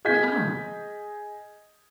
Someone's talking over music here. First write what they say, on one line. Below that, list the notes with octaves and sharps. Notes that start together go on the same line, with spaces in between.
They are.
G#4 D#5 G6 G#6 B6